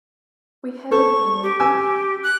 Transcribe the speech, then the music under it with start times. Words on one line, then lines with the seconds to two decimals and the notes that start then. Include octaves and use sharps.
We haven’t any.
0.91 A4 C5 C#6
1.43 G4
1.60 G#5 E6
2.24 F#6